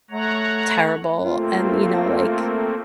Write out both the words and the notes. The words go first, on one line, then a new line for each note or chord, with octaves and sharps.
terrible and, you know, like,
A3 C#5 F#5 A#5
A3 A#3 C4 F4